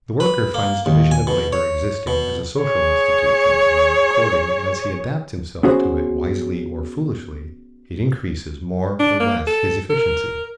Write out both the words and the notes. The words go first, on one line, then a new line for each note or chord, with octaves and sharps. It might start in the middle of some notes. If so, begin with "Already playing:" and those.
The worker finds division of labor existing as a social institution and, according as he adapts himself to it wisely or foolishly, it increases more or less his efficiency.
B4
A#3
D#2
G#5
B2
C#5
B2
G#4 C#5
B3 C#4 F#4 G#4 C5
D4
A#3
A4
A#4